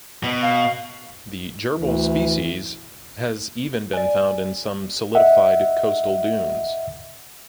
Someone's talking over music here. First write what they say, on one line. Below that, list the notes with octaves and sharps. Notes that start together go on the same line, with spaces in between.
The gerbil species has even been found in some solidified coastal dunes.
B2
F5
D2 E3
D5 G#5
D#5 E5 F#5